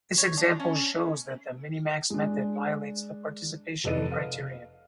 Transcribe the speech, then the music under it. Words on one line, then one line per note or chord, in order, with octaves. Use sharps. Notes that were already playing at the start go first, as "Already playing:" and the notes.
This example shows that the Minimax method violates the Participation criterion.
C#5
D4
C#4
G#3 D4
F1 A4 B4 D#5 D#7
F5